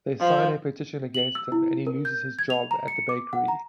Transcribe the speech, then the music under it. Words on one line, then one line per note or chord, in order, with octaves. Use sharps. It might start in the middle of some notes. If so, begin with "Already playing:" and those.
They sign a petition against him and he loses his job at the bakery.
F3
F#7
E6
E4
A#4
G6
G#6
F7
A#5
C#7
D6
F#5
A#5